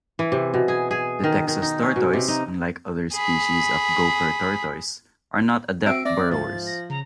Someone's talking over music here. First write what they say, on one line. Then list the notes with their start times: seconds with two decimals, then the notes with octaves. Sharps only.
The Texas tortoise, unlike other species of gopher tortoise, are not adept burrowers.
0.19 E3
0.32 C3
0.54 B2
0.68 G#4
0.91 G#4
1.24 D#3
1.48 D#3
1.62 D#4
1.82 C#4
1.96 B2
2.13 C3
2.28 D#4
3.14 G#4 B5
5.86 C4 F#4 E5 E6 D7
6.05 C4 D5 E5 A#6
6.31 G#2 F3 A6
6.67 A#6
6.90 C#3 A#5